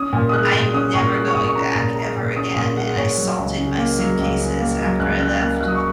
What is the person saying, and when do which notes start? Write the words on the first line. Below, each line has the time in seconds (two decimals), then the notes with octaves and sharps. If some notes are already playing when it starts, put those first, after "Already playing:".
"I am never going back ever again, and I salted my suitcases after I left,"
Already playing: C#4 D#6
0.13 A#2
0.29 D#6
0.33 G#3 F#6
0.54 A#2
0.74 C#4 D#6
0.94 A#2 C#6
1.14 G#3 F#6
1.28 C#6
1.35 A#2 D#6
1.47 C#6
1.55 C#4 A#5
1.75 A#2 A#5
1.95 G#3 A#5
2.17 A#2
2.36 C#4 D#6
2.56 A#2 D#6
2.77 G#3 F#5
2.97 A#2 C#5
3.17 F#3
3.38 C#2
3.58 C#3
3.78 A#3
3.99 F#3
4.19 C#2
4.39 C#3
4.60 A#3
4.80 F#3
4.99 C#2 F#6
5.20 C#3 F#6
5.40 A#3 F#6
5.60 F#3 F#6
5.68 D#6
5.75 C#6